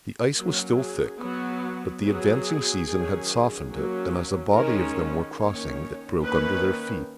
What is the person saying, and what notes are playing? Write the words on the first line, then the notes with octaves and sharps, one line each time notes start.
The ice was still thick, but the advancing season had softened it; and, as a body of them were crossing, it broke under their feet.
F#3 A#3 C#4
G#4
F#3 B3 F#4
F#3 B3 G#4
D#3 F#3 C#4
F#3 A#3 C#4
D#3 G#3 C#4 A#4
D#3 A#3 C#4 C#5
D#3 A#3 C#4 B4